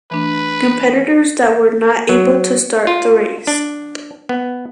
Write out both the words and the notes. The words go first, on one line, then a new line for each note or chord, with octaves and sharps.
Competitors that were not able to start the race.
E3 A3 D4 B4
F#3
F4
D4
B3